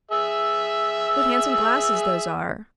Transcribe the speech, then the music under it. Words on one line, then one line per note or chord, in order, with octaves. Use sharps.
What handsome glasses those are!
G#4 E5 E6